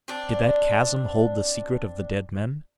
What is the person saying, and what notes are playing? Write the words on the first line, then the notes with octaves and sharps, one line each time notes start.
Did that chasm hold the secret of the dead men?
C4 D4